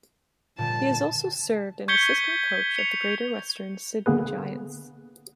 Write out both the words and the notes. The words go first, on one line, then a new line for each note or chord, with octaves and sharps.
He has also served an assistant coach of the Greater Western Sydney Giants.
A#2 D3 G3 A5
C#6 G6 G#6 B6 C#7 G7
C#7 F7
D3 A#3 B3 G#4 B4